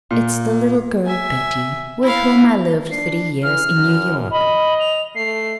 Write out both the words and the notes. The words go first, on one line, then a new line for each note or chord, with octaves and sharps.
It's the little girl, Patty, with whom I lived three years in New York.
A#2
E5 G#5
E4 F5
D4 C7
E3 F6
F#2
D#5 B5
F7
A3 C7